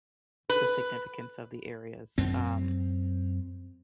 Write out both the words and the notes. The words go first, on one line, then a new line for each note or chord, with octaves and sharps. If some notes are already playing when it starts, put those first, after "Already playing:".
the significance of the areas. Um,
B4
F#2 C4